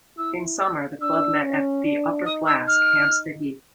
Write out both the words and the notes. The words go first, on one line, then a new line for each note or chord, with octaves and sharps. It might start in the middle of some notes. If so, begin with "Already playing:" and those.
In summer, the club met at the Upper Flask, Hampstead Heath.
E4 E6
E6
D4 E6
C#4
D4
D#4 D#6
E6
F6